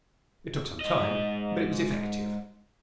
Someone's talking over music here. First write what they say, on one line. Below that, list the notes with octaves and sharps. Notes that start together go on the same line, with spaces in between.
It took some time, but it was effective.
G#2 D#5